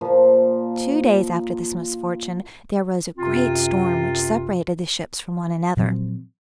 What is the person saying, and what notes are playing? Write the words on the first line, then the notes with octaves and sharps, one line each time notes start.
Two days after this misfortune, there arose a great storm, which separated the ships from one another.
A#2 F3 A#3
F#2 C3 C4 F4
A#2 F3 F#3 C4